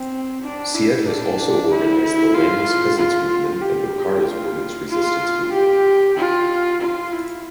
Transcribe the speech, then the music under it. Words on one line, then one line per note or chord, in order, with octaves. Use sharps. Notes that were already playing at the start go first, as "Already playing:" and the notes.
Syed has also organized the landless peasants movement and Okara’s women’s resistance movement.
Already playing: C4
D4
E4
D4
E4
E4
F4
F4
F4
G4
F4
F4
G4
F4
F4
E4